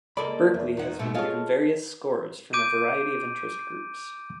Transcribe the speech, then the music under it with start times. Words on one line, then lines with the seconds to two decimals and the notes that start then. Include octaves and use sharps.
Berkley has been given various scores from a variety of interest groups.
0.17 C#2 A#3 A4 D5 B5
0.54 E2
0.77 D#3 F#4
0.99 G#2 B2 A3
1.14 G#3 F4 A4 C#5 F5
2.53 D6 G6 D7 D#7